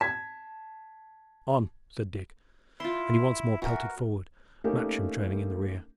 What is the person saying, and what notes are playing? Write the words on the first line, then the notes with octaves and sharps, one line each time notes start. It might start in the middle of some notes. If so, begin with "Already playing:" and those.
"On!" said Dick; and he once more pelted forward, Matcham trailing in the rear.
A5 G#6 B6
E4 F4 C6
E3 F#4 A#4
A3 A#3 C#4 D#4 G4 A#4